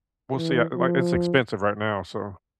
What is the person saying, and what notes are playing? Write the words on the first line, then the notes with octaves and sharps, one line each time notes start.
we'll see, I like, it's expensive right now, so
E3
F3